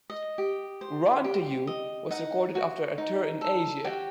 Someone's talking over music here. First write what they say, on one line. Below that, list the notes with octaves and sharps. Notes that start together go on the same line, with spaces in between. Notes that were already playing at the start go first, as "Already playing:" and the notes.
"Run to You" was recorded after a tour in Asia.
D#5
G4
C5
G4
D#5
D#4 F#5
F#4
D#4
A4
F#4 G4 G5